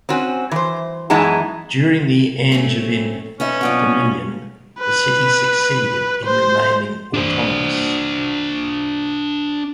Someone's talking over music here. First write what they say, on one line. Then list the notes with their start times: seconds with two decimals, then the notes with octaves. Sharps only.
During the Angevin dominion the city succeeded in remaining autonomous.
0.09 C4 C#4 F#4
0.51 E3 C5
1.10 F#2 E3 G#3 B3 D#4 A5
2.52 A3 C4 C#4
3.40 B3 C#4 D#4 E5
3.61 B2 F#3 B3 D4 F4
4.80 B4
6.25 C5
7.14 D4 C5